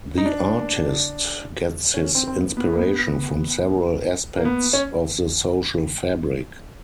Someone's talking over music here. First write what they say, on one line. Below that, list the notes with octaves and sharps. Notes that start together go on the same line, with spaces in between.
The artist gets his inspiration from several aspects of the social fabric.
D#4
D4
C#4
C4
C4
B3
B3
A#3
B3
A#3
B3
C#4